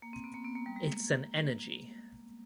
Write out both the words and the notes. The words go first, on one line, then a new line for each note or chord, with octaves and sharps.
It’s an energy!
A#3
C4
B3
A#3
B3
A#3
G3
G#3
A#3